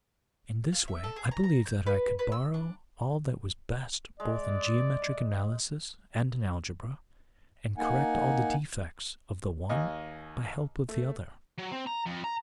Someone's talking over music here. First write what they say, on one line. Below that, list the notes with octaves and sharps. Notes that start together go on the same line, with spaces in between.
In this way I believed that I could borrow all that was best both in geometrical analysis and in algebra, and correct all the defects of the one by help of the other.
F5
E5
A4
G#4
A#5
A#5
G6
B4
B4
E6
D4
G#3 D5
A#3 D#4 F#5 G#5
D#2 D#5 G#5
A3
F#3
C4
A#5
F2
A#5